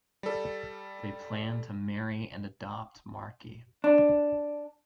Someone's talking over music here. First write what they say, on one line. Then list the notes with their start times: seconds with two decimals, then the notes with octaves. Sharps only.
They plan to marry and adopt Marky.
0.23 G3 A4
3.84 D4